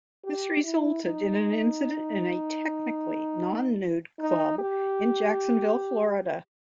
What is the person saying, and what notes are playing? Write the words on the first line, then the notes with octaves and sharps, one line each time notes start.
This resulted in an incident in a technically non-nude club in Jacksonville, Florida.
G4
E4
D#4
D#4
G4